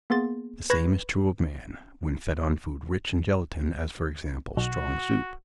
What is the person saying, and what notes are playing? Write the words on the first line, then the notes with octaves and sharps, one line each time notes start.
The same is true of man, when fed on food rich in gelatine, as, for example, strong soup.
A#3 B3 G#4 C6 A6
B4 B5 C#6 G6 G#6 A#6
B1 F#4